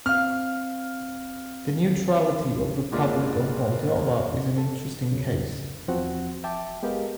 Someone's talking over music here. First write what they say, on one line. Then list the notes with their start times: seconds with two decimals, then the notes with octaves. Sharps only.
The neutrality of Republic of Moldova is an interesting case.
0.06 C4 F5 F6
2.92 F#1 G#3 A#3 F4 D5
4.58 A4
5.12 C#2 F#2 C#3
5.88 E2 F3 C4 F#4 F#5
6.44 E5 G5 A5 D6
6.83 G#3 B3 G4 A#4 D#5 F5